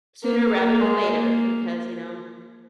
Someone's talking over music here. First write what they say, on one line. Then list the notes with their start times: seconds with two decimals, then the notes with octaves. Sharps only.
sooner rather than later, because, you know,
0.24 A#3
0.52 A#3
0.81 G#3
1.09 A#3